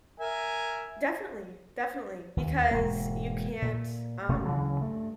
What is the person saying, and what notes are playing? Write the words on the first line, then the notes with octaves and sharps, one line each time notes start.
Definitely. Definitely. Because you can't, um...
A#4 E5 G#5
D#2
E1 G#2 A#3
A#2
E1 C3 A3 C#4
D2 C#3 E3 F#3
G2 A3